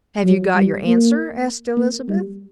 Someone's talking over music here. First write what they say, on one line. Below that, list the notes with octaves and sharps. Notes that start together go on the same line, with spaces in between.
"Have you got your answer?" asked Elizabeth.
F#3
G3
A#3
A#3
G3